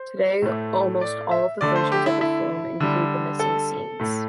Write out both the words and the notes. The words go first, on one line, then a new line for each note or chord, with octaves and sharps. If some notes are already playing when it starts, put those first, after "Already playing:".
Today, almost all of the versions of the film include the missing scenes.
Already playing: C5
A2 A3
D5
E5
D3 A3 D5
C5
G4
E4
E4
D3 G3
A4
A2 A3